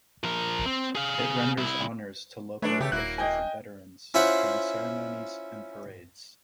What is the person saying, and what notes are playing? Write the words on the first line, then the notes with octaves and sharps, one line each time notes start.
It renders honors to local officials and veterans during ceremonies and parades.
F3 A#4
C4
G#4 F5
C2 E4
F#2 A3 D4 B4 C#5
C#3 A3 G4
D#1 A#3 E4 F#4 F#6
D#5 G5 G#5
C#4 E4 F4 C5 E5 F#5